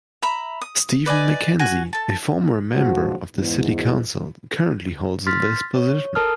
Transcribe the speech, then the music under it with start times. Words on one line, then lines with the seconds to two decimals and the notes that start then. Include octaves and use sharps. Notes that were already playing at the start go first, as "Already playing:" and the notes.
Steven Mackenzie, a former member of the city council, currently holds this position.
0.22 E5 A#5 B5
0.61 D#6
1.06 B4 D5 D#5 G#5
1.59 F#4 G#5
1.93 A4 A5
2.73 A#1 G#2 D3 F3 F#4
3.36 E2 G#2
5.27 C6 F6 A6 B6
5.76 C#5
6.15 A4 A#4 A5 D#6 F6